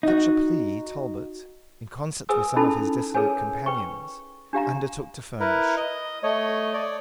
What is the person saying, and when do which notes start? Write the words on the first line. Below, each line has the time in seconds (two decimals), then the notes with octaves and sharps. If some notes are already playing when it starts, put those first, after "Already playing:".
Such a plea Talbot, in concert with some of his dissolute companions, undertook to furnish.
0.03 D#4 F#4
2.29 G#4 A#4 B4 G#5 D#6 E6
2.56 C#4 D#4 E4 A4 A5 B5
3.14 G#4 A#4 B4 C#5 G#5
3.66 B4 G5 C#6
4.53 D4 G4 F5 A#5
5.40 E4 A#4 B4
5.77 D#5
6.23 A3 C#5 D#5
6.73 C#5 D5